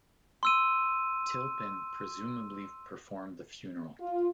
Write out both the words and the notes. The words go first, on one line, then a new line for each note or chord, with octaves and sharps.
Tilpin presumably performed the funeral.
C6 E6 D#7
F4